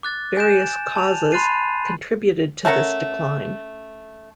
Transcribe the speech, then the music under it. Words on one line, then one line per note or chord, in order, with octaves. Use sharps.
Various causes contributed to this decline.
D6 F#6 A6
G#5 G6 E7
A5 F7
B5 C6 F#6 A6 C7 D#7
A3 C#4 A#4 F#5